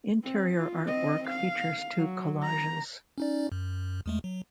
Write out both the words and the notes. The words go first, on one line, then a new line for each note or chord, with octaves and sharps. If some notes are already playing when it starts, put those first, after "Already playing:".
Interior artwork features two collages.
C4
F4
C4 D#5
F5
F#3
A#5
C#4 D#4 D5
F#2
E2 G#3 A3
F#3